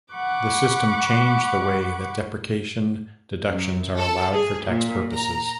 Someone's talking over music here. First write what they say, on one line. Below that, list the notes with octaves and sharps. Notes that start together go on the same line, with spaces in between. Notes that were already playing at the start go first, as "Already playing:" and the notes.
The system changed the way that depreciation deductions are allowed for tax purposes.
F#5 B5 C#6 D6 F#6
F#2
A4
G#4
A#2
A#5